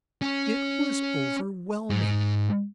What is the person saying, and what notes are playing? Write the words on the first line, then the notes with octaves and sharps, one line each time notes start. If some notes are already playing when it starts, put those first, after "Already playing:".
It was overwhelming.
C#4
G#2